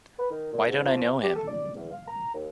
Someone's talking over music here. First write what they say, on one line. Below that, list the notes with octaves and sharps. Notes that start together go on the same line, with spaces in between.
Why don't I know him?
B4
D#3
A#2
G#2
F3
G4
A4
D5
E2
F5
A#5
D#2